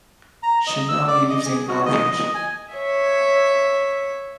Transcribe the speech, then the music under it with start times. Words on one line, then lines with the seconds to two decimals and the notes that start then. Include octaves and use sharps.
She now lives in Norwich.
0.43 A#5
0.67 D#5
0.89 E6
1.08 D5
1.30 D#5
1.45 G#4
1.68 F#4
1.86 D#5
2.12 D#5
2.34 G#5
2.74 C#5 E5